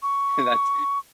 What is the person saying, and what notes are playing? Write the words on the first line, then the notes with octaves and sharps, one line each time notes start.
and that's,
C#6